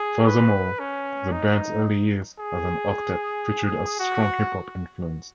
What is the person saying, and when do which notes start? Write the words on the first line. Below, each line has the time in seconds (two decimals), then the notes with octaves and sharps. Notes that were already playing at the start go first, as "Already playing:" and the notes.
Furthermore, the band's early years as an octet featured a strong hip-hop influence.
Already playing: G#4
0.26 B4
0.80 C#4
1.32 D#4
2.40 G#4
4.00 F#4